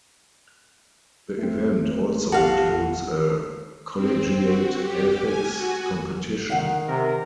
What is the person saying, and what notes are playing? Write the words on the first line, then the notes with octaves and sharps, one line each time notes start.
The event also includes a Collegiate Ethics Competition.
A3 C4
A#1 F#4 G4 F5 A5
C4
F#4
G4
G#5
F#4
D#3 F5 F#5
C3 A#4